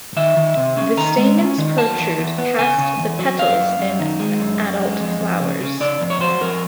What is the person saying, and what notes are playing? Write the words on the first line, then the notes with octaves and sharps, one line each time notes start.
The stamens protrude past the petals in adult flowers.
D#3 E5
D#3
C3
C#4
D#3 A#5
G#3
C#4
D#3
F#3 A5
E2
E2
B3
C#3 G#5
C#3
E2
F#3
F#2 F5
F#2
F#2
D#3
G#3
F#2
F#2
G#3
F2
F2
C#3
C#3
C#3 D5
F2
C#5
F#3 C5
F2 A#4